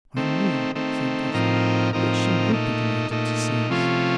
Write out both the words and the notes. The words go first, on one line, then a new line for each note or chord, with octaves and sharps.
"I knew," said Gaston, "that she would be delighted to see us."
D#3 A3 C4
D#3 A3 C4
A2 F3 C4 D#4 A#4
A2 F3 C4 D#4 A#4
A#2 A3 D#4
A#2 A3 D#4
C3 F3 A3 C#4 F4